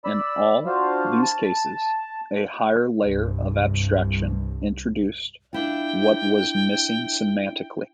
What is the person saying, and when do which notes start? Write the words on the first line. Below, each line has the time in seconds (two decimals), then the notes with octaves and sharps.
In all these cases, a higher layer of abstraction introduced what was missing semantically.
0.05 D5 B5 E6
0.66 D4 F4 F#4 C5 F5
1.22 A5
3.02 C2 G2
5.53 D4 E4 F4 G5